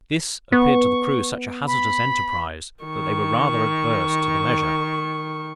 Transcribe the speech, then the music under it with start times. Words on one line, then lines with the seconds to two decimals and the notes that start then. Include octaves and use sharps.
This appeared to the crew such a hazardous enterprise, that they were rather adverse to the measure.
0.52 B3 C#6
1.67 B5
2.84 D#3 C#6